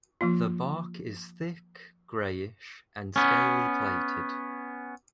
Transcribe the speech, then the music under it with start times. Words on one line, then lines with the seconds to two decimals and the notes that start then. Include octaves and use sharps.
The bark is thick, greyish, and scaly plated.
0.21 F3 A#3 F4
3.16 B3 C#4